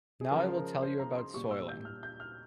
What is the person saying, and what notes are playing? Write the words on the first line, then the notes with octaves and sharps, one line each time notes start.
Now I will tell you about soiling.
G#4
C#3 F3 G#3 A#4
C5
A#4
C5
A#5
C6
A#2 G3 C#6
E6
G6
F6
G6
F6